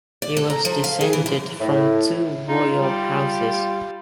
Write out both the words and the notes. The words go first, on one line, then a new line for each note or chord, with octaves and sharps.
He was descended from two royal houses.
D5
A4
A#5
F3
F5
G#4
E3
F#2
A2
D#4 F4
G3